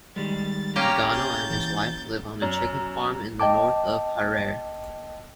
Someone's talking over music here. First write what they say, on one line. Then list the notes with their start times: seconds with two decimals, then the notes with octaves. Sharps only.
Gono and his wife live on a chicken farm in the north of Harare.
0.16 D#3 G3 G#3 A6
0.76 A#3 C#4 G4 G5 A#5
1.10 G#4 G6 A6
1.50 E3
2.42 F#2
3.40 D#5 G5 A5 D6